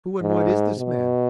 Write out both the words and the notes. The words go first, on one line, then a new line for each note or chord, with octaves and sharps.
"Who and what is this man?"
G#2
B2